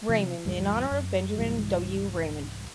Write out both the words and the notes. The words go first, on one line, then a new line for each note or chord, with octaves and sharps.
Raymond in honor of Benjamin W. Raymond.
C3 F3
D2 G2 F3 G#3
F#2
C2 G#2 E3 G3